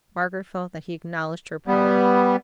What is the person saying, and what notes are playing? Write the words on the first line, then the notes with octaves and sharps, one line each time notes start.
Margaret felt that he acknowledged her power.
G3 B3